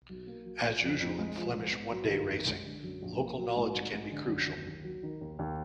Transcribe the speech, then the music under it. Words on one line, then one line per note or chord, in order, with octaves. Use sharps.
As usual in Flemish one-day racing, local knowledge can be crucial.
B1
A#3
F#3
A#2
F2
F2
G#3
F3
G#2
B3
F#3
D#3
F#1
G#3
D3
F#2
A#1
A#3
F#3
G#2
G#1
G#3
D3
F#2
D#2
D#2
F#3
D#3
D#2
D#2